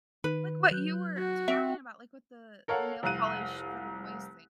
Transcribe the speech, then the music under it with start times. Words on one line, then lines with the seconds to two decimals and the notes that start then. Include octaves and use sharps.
like, what you were talking about, like, with the the nail polish for the boys thing,
0.24 D#3 B4
0.71 F#3 F#6 G6
1.18 F#4
1.48 C4 E5
2.68 A4 A#4 C#5 F5 F#5
3.03 F1 C2 F5 F#6 D#7